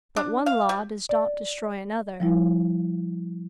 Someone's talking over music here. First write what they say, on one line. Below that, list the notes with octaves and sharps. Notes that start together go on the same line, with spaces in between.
But one law does not destroy another.
D4
F5
G3
D5
F3 G3 E4